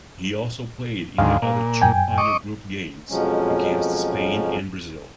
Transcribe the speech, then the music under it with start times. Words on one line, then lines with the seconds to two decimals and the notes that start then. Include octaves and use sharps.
He also played in the other two final group games against Spain and Brazil.
1.19 D2 G#2 D#3 F5
1.42 A#2
1.82 F#2 G5 G#5
2.18 D#5 C#6 D6
3.09 F2 B2 F3 F#3 G#3 C#4